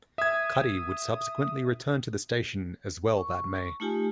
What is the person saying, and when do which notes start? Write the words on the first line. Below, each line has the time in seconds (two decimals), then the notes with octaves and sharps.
Cuddy would subsequently return to the station as well that May.
0.18 E5 D#6 G#6
3.17 C#6
3.80 A3 D#4 F4 G4 G#5